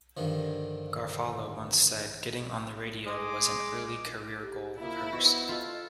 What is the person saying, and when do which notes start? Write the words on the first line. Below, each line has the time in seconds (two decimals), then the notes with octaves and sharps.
Garofalo once said getting on the radio was an early career goal of hers.
0.17 G2 D3 D#3 F3
3.06 G#3 C6 D6 D#6
4.42 G4
4.81 A#3 E4 F4
5.12 B3 F#4 C5 D#5
5.49 F4 A4